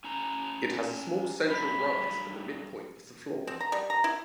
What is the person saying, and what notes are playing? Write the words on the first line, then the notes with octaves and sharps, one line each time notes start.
It has a small central rise at the midpoint of the floor.
C#4 E4 A#5
G2 F#3 B5
C4
A#5
G3
A#5
E4